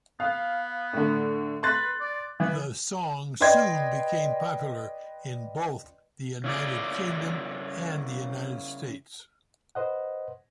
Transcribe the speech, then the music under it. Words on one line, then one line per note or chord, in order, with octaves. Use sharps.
The song soon became popular in both the United Kingdom and the United States.
B3 F5
A2 D3
B4 C6 F#6 A6
D5
E3 B3
B4 D5 D#5 G5 C6 G#6
C#3 E4 D5
B4 C5 D#5 F#5